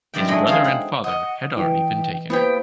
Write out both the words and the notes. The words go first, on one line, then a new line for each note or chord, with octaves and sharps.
His brother and father had already been taken.
F#2 D#3 D5 E5 G5
G#3 A3 C4 D4 E4 D#5
C4 C#4 D#4 F4 G#4 C5
C4 F#5
D#5 F#5
E3 G5
A#3 B3 E4 G4 C5 F5 G5